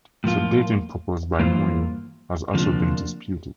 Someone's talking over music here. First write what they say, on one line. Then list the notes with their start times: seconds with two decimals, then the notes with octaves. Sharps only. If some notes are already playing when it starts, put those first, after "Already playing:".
The dating proposed by Muir has also been disputed.
0.24 A2 F3 A#3 F4
1.39 G2 E3 A#3 F4 C5
2.54 D2 C3 F3 A#3 D4